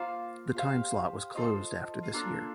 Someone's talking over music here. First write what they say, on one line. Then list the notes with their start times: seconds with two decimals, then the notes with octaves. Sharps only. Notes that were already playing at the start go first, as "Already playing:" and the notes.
The time slot was closed after this year.
Already playing: A#3 F4 C5 F5
0.57 G4 C5 F5
1.35 F4 A4 C5 D#5
2.13 A#3 D4 F4 A4